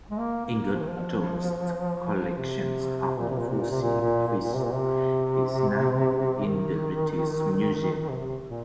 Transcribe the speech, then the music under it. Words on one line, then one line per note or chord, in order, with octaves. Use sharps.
Egerton's collection of fossil fishes is now in the British Museum.
G#3
A#3
A#3
F3
D#3
F3
C3
A#2
C3
A#2
C3
A#2
C3
A#2
A#2
A#2
A#2
C3
A#2
C3
D#3
C3
A#2